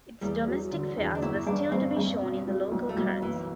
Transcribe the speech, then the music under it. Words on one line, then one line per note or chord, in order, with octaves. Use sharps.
Its domestic fares were still to be shown in the local currency.
E2 G3
F#3
D3
E2
D4
G1 E4
G2 D4
G2 C4
G2
B2
G3
B1
A3
B1 G3
F#1 E3